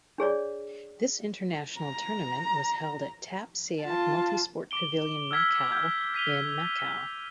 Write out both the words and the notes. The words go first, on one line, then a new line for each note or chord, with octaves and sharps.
This international tournament was held at Tap Seac Multisport Pavilion Macau in Macau.
D4 G#4 C#5 D5
A#5
F4 A5
D6 D7 G7
E6 F6 G#6 B6
E6 F6 G6 G#6
B6 D#7 F7 G7